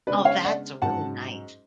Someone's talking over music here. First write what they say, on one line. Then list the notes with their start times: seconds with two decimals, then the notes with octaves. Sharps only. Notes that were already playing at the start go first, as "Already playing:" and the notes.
Oh, that's really nice.
0.07 C#3 G#3 B3 D4 B4 D5
0.25 C#5 F5
0.45 D5 F#5
0.82 G#2 F#3 C#4 F#5 A5